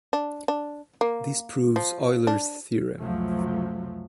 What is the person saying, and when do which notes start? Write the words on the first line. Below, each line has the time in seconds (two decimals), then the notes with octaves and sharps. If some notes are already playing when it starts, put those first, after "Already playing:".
This proves Euler's theorem.
0.13 D4
0.48 D4
1.01 A#3
1.76 F3
2.27 D4
2.99 C#2 F#2 C3 F3 F#3 A3